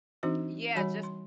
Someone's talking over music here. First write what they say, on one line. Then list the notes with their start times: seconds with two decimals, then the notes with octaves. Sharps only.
Yeah, just
0.23 E3 C4 D4 D#4 F#4 C5
0.76 E3 G3 F#4 C#5 G#5 B5
1.03 C6